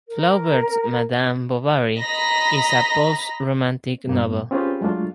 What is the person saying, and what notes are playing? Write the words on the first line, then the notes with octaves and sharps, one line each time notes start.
Flaubert's "Madame Bovary" is a post-Romantic novel.
A#4
D#5 A#5 B5 A#6 B6
G2 A#3 B3
C4 C#4 F4 G4 G#4 B4
F#3 G#3 A3 D4 F4